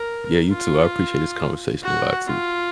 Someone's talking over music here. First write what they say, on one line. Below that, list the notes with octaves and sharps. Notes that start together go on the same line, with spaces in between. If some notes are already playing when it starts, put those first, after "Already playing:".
Yeah, you too. I appreciate this conversation a lot, too.
Already playing: A#4
F4
F#4
F4